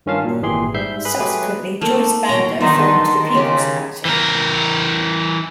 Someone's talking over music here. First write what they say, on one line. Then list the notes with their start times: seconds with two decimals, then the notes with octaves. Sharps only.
Subsequently Joyce Banda formed the People's Party.
0.06 G2 D#3 C#4 F4 F5 A5
0.24 A#2 F#3
0.42 G#1 A#2 E3 G4 G#4 C6
0.74 G#2 G3 E5 G6 C7
1.05 G#4 B4 B5
1.20 F#3 G#3 A3 G4 G#4 B4
1.81 A3 A#3 D#4 A5
2.29 B2 C#5 G5 A#5
2.61 D3 D#3 A3 B3 D#4 C6
3.00 D#3
3.35 C#3 G4
4.05 E3 A#4